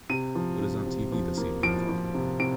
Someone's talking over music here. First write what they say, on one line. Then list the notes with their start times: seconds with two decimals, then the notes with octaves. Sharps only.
What is on TV this evening?
0.09 C3 D#7
0.35 F3
0.61 C3
0.86 C3
1.12 F3
1.38 A#3
1.63 F3 D7
1.89 F3
2.14 C3
2.40 C3 D7